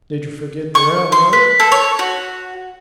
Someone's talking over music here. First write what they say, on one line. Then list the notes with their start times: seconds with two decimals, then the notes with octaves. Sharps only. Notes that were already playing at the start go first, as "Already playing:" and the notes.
Did you forget the railroad?
0.75 C#6
1.12 C6
1.33 B4
1.60 A4
1.72 C#5
1.99 F#4